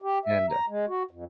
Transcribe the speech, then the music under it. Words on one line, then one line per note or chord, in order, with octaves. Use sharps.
and, uh
G4
E5
A#5
G#3
F#4
F2